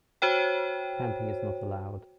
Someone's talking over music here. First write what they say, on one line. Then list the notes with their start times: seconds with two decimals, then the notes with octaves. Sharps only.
Camping is not allowed.
0.22 F#4 C5 C#5 G5